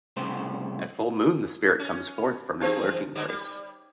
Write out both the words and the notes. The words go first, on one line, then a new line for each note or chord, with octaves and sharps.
At full moon the spirit comes forth from his lurking-place.
C2 A2 C#3 C5
C#4
B5
E3 C4 D#4 G4 G#4 C5
G2 D3 F#3
G3